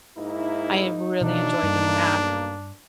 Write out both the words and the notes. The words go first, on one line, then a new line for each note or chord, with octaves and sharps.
I really enjoy doing that,
G#2 A#3 D#4 E4
B2 E3 F#3 A3 A#3 D4
B1 G2 A#3